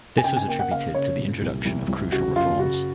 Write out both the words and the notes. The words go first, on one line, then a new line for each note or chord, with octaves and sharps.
This was attributed to the introduction of crucial reforms.
G#5
C#3 G5
G#5
A#3 G5
F#5
C#3 F5
C#3 C#5
A#2
C2
C2
C2
C#3 F#4
F#2 F4
C#3 F#4